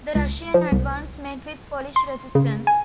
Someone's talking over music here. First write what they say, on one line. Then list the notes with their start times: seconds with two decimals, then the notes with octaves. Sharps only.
The Russian advance met with Polish resistance.
0.15 C#2
0.54 F3
0.72 C2
1.96 C6
2.35 C#3
2.67 G#5